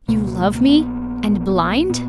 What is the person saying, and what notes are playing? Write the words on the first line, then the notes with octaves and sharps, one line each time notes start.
'You love me, and blind?'
C#2 B2 A#3
F#3
G#3
A#3
A#1 A#2 B3
A#1 A#2
A#2 B3